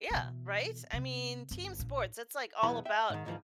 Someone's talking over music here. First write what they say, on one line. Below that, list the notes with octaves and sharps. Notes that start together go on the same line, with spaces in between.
Yeah, right? I mean, team sports, it's, like, all about
B2 E3
C3
G1
A#1
B1 E2 B3 E4 A#5 B5
E5 G5
G#2 D#3
D2 G#2 E3 F3 A#3